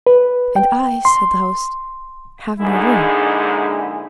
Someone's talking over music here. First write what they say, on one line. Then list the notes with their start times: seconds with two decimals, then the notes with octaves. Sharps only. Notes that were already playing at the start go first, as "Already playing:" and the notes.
"And I," said the host, "have no room."
0.07 B4
0.56 G5
1.05 C6
2.60 A#1 G#2 D3 G#3 E4 G#4